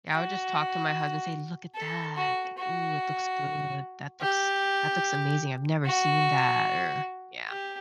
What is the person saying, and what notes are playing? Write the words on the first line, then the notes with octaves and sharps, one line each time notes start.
Yeah, I would just talk to my husband, say, "Look at that." Like, "Ooh, it looks good, that looks that looks amazing, I've never seen that," or yeah.
F#4
A4
F#4
F#4
G4
F#4
G4